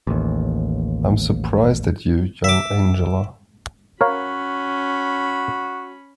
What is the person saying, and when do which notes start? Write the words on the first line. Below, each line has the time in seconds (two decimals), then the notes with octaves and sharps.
I'm surprised at you, young Angela.
0.07 A1 D#2
2.44 E5 D6
4.01 C#4 F#4 A#4 C#5 F5 B5